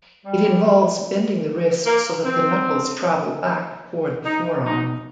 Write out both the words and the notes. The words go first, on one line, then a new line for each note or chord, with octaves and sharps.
It involves bending the wrist so that the knuckles travel back toward the forearm.
G3
A#3
C4
D#4
D#4